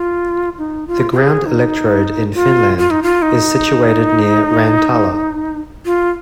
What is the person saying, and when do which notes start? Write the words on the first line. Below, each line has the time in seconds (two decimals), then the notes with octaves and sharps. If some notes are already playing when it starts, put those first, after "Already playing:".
The ground electrode in Finland is situated near Rantala.
Already playing: F4
0.58 D#4
0.88 F4
1.12 F4
1.17 G#4
1.46 D#4
2.34 F4
2.78 F4
2.91 D#4
3.03 F4
3.22 D#4
5.85 F4